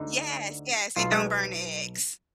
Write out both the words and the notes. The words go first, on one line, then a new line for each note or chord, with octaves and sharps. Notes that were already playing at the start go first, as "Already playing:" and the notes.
Yes, yes, and don't burn the eggs.
Already playing: D2 D3 D#4
B1 B2 F4
G#3